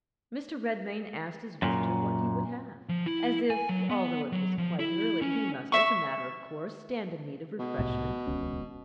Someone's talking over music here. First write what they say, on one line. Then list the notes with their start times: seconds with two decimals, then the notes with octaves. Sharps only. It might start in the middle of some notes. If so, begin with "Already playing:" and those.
Mr. Redmain asked his visitor what he would have, as if, although it was quite early, he must, as a matter of course, stand in need of refreshment.
1.62 F#2 A#2
2.89 F3
3.06 E4
3.50 G#5
3.69 F#3
3.90 B3
4.32 F#3
4.58 F3
4.79 E4
5.22 C#4
5.72 E5 C#6
7.59 B2
7.78 C2 A2 C3
8.27 D#1 C#2 C#4